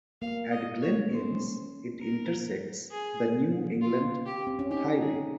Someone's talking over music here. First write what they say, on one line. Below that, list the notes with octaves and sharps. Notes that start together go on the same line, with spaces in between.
At Glen Innes it intersects the New England Highway.
A#3 F5
D#5
C#5
C#4 C5
A#4
G#4
F4
G4
C4
C#4
D#4 G4
G#4